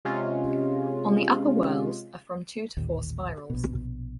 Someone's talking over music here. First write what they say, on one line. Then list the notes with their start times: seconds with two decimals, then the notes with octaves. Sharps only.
On the upper whorls are from two to four spirals.
0.05 C3 G#3 C#4 F4
2.77 A1 D#2 A#2
3.50 A#1 B2